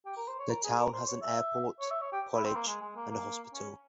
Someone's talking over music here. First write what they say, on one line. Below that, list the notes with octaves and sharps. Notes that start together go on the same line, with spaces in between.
The town has an airport, college, and a hospital.
G4
A#4
C5
C#5
A#4
G#4
A#4
C5
C#5
E5
C#5
E5
C#5
G4
E4
C4
A#3
G#3
G#3
A#3
A#3
C#4